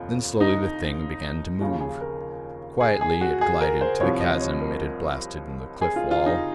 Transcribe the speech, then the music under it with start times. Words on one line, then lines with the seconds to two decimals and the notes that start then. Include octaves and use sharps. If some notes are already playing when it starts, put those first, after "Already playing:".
Then slowly the Thing began to move; quietly it glided to the chasm it had blasted in the cliff wall.
Already playing: F1 D#2 F3
0.41 D#4
1.60 D#2 C#3 F3 F4
1.80 G#4
2.01 A#4
2.81 G#4
3.01 G#4
3.21 F#4
3.41 G#4
3.61 A#4
3.81 C5
4.00 C2 C3 F3 C#5
4.20 D#5
4.41 C#5
4.61 A#4
5.81 G#4
5.96 F4
6.11 F4
6.26 D#4